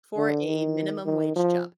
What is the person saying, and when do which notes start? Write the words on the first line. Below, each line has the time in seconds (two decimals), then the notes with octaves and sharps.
For a minimum wage job.
0.17 D3
0.46 D#3
1.06 D#3
1.36 F3